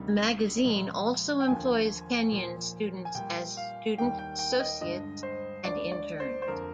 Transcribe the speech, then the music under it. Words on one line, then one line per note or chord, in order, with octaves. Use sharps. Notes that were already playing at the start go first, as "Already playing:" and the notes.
The magazine also employs Kenyon students as student associates and interns.
Already playing: D2 C3 D#3 G3
A#2 F3 G#3
G5
D#2 D3 F3 A#3 G#5
A#2 F3 A#3
G#5
A#2 G3 A#3 G5
F5
D#2 D#3 G3 A#3 G5
G5
G5
D#5
G2 D3 G#3 D#5
C5
D2 D3 G#3 D5
D5
C5
C5
F2 D3 F3 A#3 A#4